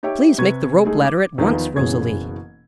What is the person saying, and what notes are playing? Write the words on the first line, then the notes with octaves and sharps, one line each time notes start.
"Please make the rope ladder at once, Rosalie!"
D#4 G4 C#5 E5 G5
C3 B4 C#6 G#6
G#3 A3 D#4 G#4
D6
E2 D#3 F3 B3
F#1 B2 E3 C#4 G#4 G#6